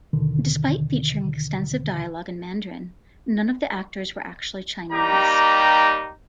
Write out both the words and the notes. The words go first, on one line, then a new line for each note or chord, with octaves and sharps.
Despite featuring extensive dialogue in Mandarin, none of the actors were actually Chinese.
D#2 B2 D3 D#3
G3 A#3 D#4 G4 A#5